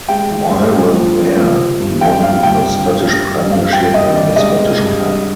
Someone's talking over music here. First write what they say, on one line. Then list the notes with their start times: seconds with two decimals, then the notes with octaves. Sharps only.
While with Ayr he won the Scottish Premiership and the Scottish Cup.
0.08 G#3 G5
0.51 G2
0.93 F3
1.37 F3
1.80 G2
2.01 G5
2.22 G2 F5
2.43 G5
2.65 G2
3.07 G2
3.50 G2 F5
3.73 G5
3.94 G2 D#5
4.15 D5
4.36 G#3 D#5
4.80 G2